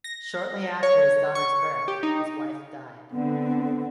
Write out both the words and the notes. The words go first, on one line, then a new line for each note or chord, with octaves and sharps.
Shortly after his daughter's birth, his wife died.
A#6
C#5
C#6
G4
D#4
D3 B3 C4